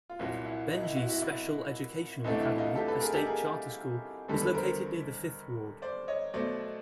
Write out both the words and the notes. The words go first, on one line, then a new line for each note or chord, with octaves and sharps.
Benji's Special Educational Academy, a state charter school, is located near the Fifth Ward.
F4
C2 A#2 F#3 E4
E4
D#4
E4
E4 F#4
E4 F#4
E4
C2 C3 E3 A3 D4 D#4
E4
D#4 F4
G4 A4
A4 B4
G#4 A#4
G4 A4
G#4 A#4
D#2 D3 G3 B3 A4 B4
A4 B4
A#4 C5
C5 D5
C#5 D#5
B2 F#3 A3 C5 D5